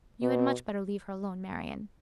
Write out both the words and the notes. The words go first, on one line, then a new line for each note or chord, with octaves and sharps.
You had much better leave her alone, Marian.
B2